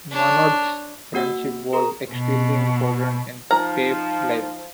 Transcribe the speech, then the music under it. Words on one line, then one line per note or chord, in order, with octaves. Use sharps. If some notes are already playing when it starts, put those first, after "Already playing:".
Monnot's friendship was extremely important in Piaf's life.
D4 C#5
A#3 F#4 F#5 E6
G#4 A#4 A#5
B2
F3 D#4 C5 A#5